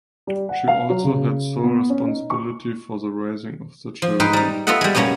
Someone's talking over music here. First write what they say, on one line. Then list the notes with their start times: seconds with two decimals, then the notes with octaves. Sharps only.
She also had sole responsibility for the raising of their children.
0.27 G3
0.49 F#5
0.68 F5
0.90 F#3
1.04 C#3
1.64 B3
1.90 C#4
2.07 D#4
2.30 C#6
4.02 F3
4.20 G#2 D#4 B4 G5 C6
4.33 G3 D#4
4.67 B3 F4 A4 D#5 E5 F#5
4.81 G3 G#3
4.95 F#2 B2 G#3 A#3 C#4 A#5